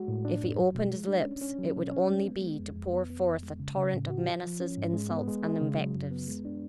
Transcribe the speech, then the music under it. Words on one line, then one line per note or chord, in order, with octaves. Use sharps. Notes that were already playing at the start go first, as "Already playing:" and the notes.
If he opened his lips it would only be to pour forth a torrent of menaces, insults, and invectives.
Already playing: G#3 F#4
A2
D4
F#2
F#3
B2
G#3
D4
C#4
C#4
F#3
B2
C#4
G#3
B3
G#3
F2
F2
B3
B3
F2
G#3
C#3
C#3
A2
F#4
F3
F3
C#4
G#2
G#3
B3
G#3
G#3
C#3
F#3
F#2
B3
G#3
D4